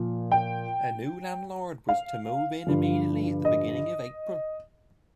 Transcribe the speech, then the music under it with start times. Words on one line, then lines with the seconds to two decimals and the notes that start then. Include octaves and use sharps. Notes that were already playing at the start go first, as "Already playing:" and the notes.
A new landlord was to move in immediately at the beginning of April.
Already playing: A#2 F3
0.32 G5
1.89 F5
2.67 G2 D3 F3
3.45 D#5